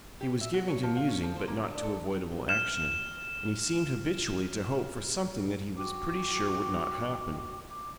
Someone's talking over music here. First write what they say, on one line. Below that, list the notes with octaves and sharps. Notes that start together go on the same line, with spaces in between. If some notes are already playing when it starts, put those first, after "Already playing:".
He was given to musing but not to avoidable action, and he seemed habitually to hope for something that he was pretty sure would not happen.
G4
E5
F#4
C#5
F3
F5
C#4
F3
C5
A#3
D4
A4
F6 E7
F#4 G5 D6
D6